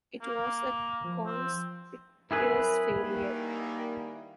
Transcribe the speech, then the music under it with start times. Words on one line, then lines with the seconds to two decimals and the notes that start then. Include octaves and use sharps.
It was a conspicuous failure.
0.22 A#3
1.04 F3
1.26 C4
2.31 F#3 C4 E4 G#4 A#4 B4
2.94 D#3 G3 A#3